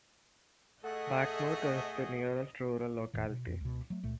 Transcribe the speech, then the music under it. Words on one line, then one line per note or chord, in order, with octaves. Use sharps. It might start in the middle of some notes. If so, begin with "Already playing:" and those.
Bakhmut is the nearest rural locality.
A3 G#4 A4 D#5 F#5
E1 A2 D#3
B2
F2
C#2 B2
F#3 A3
C#2 A#2 A3